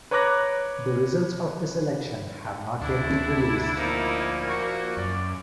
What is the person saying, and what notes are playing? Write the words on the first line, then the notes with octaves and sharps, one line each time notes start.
The results of this election have not yet been released.
B4 C#5 A#5 D6 F#6 A#6
D2 D4 E4
A#2 F3 A#3 D#4
F#4
F#2 D5